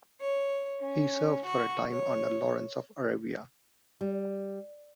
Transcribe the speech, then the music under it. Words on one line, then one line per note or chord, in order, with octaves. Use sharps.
He served for a time under Lawrence of Arabia.
C#5
C#4
F#4
C#5
G3